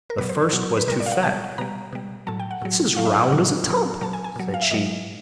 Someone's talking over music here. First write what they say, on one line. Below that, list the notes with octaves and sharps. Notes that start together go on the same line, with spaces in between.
The first was too fat: 'He's as round as a tub,' said she.
A#4
B2 F#3 B4
C5
B2 F#3
B4
B2 G3 A#4
D5
F5
F#5
B2 G3 A5
B2 G3 A#5
B2 G3
A2 F#3 A5
G5
F#5
A2 F#3
A2 F#3 F5
E5
F5
F#5
A2 F#3
A#2 F#3
A#2 F#3 A5
G#5
G#5
A#2 F#3
F5
E5
A#2 F#3 D#5